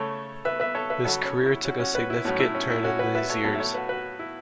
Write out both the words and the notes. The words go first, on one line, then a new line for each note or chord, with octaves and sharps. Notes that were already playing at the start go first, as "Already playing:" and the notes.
His career took a significant turn in these years.
Already playing: C#3 A3 A4 C#5
B4 E5
B4 E5
A4 C#5
B4 E5
C#3 F#3 B3 A4 C#5
C#4
E4
C#4 F#4
C#4 F#4
F#4 B4
E4
A2 F#3 B3 C#4
E4
C#4
E4
C#4 F#4
F#4 B4
B4 E5
A4 C#5
A2 F#3 B3 A4 C#5
E5
A4 C#5
F#4 B4
F#4 B4
E4